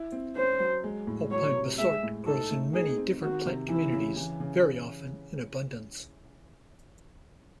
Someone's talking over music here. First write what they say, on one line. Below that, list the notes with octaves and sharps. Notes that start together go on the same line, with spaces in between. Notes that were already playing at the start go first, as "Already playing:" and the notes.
Alpine bistort grows in many different plant communities, very often in abundance.
Already playing: E4
C4
C#4 C5
F#3
G#3
A2
F#3 C#5
C3
G#3 E5
A2
D#4 A4
A3
D#4 G#4
C4
D#3 F#4
C3
E3 E4
C#3
E3
C#3